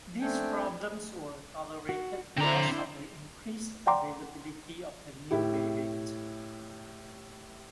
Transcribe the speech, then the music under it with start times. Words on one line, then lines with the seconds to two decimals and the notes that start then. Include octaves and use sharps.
These problems were tolerated because of the increased availability of the new variant.
0.20 A3 C4 D4 G5 G#5
1.89 F#4
2.38 D3 C4 D4 E4 C5 A#5
3.87 D5 F#5 G5 A#5 C6 D6
5.31 A2 E4 G4